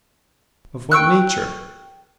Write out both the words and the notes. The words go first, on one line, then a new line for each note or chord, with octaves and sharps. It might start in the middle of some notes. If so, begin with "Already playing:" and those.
Of what nature?
G5 C#6 E6 F#6